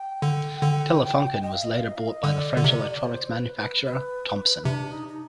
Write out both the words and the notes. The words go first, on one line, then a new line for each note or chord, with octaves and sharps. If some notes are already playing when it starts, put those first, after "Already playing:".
Telefunken was later bought by the French electronics manufacturer Thomson.
Already playing: G5
D3
D3
D#5
F5
D#5
F5
D#5
F5
D#5
D3 D5
D3
C3
C5
B4
B4
B4
C3 D4
D#4
D#4